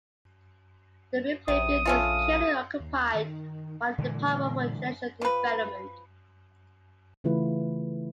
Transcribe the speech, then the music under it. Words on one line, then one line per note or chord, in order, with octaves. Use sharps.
The Ripley Building is currently occupied by the Department for International Development.
A#1 C3 D#6
A3 C#4 F4
D#2
D#3
A#2 D3 E3 G#3
F3 B4
C#3 E3 A3 E4 F4 B4